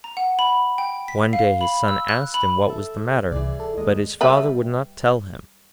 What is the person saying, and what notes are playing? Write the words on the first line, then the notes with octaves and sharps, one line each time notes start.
One day his son asked him what was the matter, but his father would not tell him.
A#5
F#5
B5
G5
B6
F5
B5
E6
F#6
B5
A4 E5
C2 E3 G#4 D5
A4
D#2 G#3 D#5
G3 B4 E5